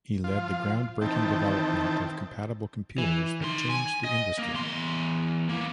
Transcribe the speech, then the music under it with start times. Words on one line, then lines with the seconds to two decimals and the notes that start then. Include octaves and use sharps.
He led the groundbreaking development of compatible computers that changed the industry.
0.24 F3 F4
1.01 D#3 E3 C4 G5 A5
2.98 E3
3.42 D#3 C6
3.70 G#5
4.04 D#5
4.38 A#3
4.54 E2 C6
5.49 A#3 B3